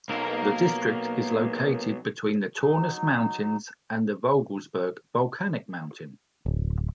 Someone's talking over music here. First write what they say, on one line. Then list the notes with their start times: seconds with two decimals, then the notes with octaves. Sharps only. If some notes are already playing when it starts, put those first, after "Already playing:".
The district is located between the Taunus mountains and the Vogelsberg volcanic mountain.
0.09 B1 A#3 A#4
2.62 F#3 D#4
6.46 D1